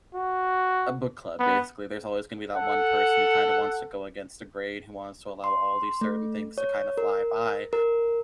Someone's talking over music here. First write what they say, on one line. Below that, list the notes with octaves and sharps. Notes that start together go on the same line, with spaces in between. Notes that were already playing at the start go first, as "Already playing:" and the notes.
a book club, basically. There's always gonna be that one person who, kind of, wants to go against the grain, who wants to allow all these certain things to, kind of, fly by,
F#4
B3
A4 F#5
C6
A3
C#5
A#4
A#4